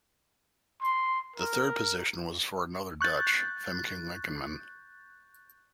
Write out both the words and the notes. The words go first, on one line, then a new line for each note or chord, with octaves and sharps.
The third position was for another Dutch, Femke Lakenman.
C6
A#4
C#6 F#6 G6 A6